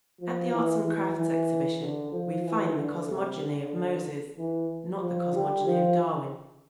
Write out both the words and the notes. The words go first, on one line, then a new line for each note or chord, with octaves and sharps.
At the Arts and Crafts Exhibition we find the cosmogony of Moses, not the cosmogony of Darwin.
F3
E3
E3
E3
D3
F3
E3
D3
C3
D3
E3
F3
G3
F3